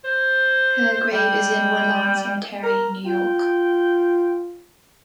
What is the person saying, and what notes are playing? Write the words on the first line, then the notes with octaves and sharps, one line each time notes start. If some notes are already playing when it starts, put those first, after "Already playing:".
Her grave is in Woodlawn Cemetery, New York.
C5
G3
A#4
F4 G5